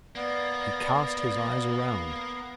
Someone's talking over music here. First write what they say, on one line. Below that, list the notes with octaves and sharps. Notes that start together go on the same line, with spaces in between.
He cast his eyes around.
A#3 B3 D5